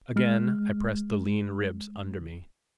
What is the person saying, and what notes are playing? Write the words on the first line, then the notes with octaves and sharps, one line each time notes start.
Again I pressed the lean ribs under me.
G#3 F6